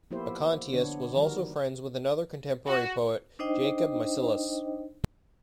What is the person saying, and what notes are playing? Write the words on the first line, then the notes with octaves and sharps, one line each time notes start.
Acontius was also friends with another contemporary poet, Jacob Micyllus.
F3 A#3 B3 E4 G4 C5
D3 B3 D4 C#5
D#3 F3 G3 F#4 A#4
F#4
D4 D#4 C5 D#5 G5